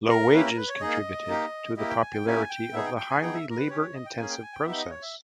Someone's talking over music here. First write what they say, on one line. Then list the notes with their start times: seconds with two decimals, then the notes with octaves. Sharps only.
Low wages contributed to the popularity of the highly labour-intensive process.
0.09 A#4
0.32 A#3 C#4 E4 G4 B4
0.45 A#4
0.57 B4
0.69 C#5
0.81 A#3 D#4 G#4 D#5
1.29 A#3 D#4 G4
1.77 A#3 E4 G4 D#5
1.89 G5
2.01 G#5
2.13 G5
2.25 A#3 C#4 E4 G4 G#5
2.50 G5
2.73 B3 D#4 G#4 E5
2.86 G5
2.97 G5
3.10 G#5
3.21 B3 D#4 G#4 G5
3.33 E5
3.50 A#4
3.57 B4
3.69 C#4 G4 C#5
3.82 C#5
3.94 D#5
4.06 G5
4.18 A#3 C#4 G#4 G#5
4.30 G5
4.42 G#5
4.53 G5
4.66 B3 D#4 G4 E5
4.78 D#5
4.90 C#5
5.02 E5